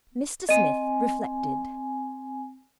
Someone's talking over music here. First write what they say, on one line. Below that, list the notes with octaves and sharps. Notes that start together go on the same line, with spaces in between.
Mr Smith reflected.
C4 D#5 G#5 D#7